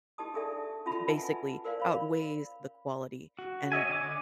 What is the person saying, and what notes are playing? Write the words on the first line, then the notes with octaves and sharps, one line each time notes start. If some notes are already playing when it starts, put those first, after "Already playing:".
basically outweighs the quality. And,
D#4 G4 D#5 A5 D#6
D4 G#4 A4 D5 E5 A5
C#4 F4 F#4 E5 B5
B4 D#5 E5 F#5 G#5 A5
A#4 C5 D5 F5
C#5 F5 B5
F#4
C#5 D#5 E5 G#5
D3 G#5 D6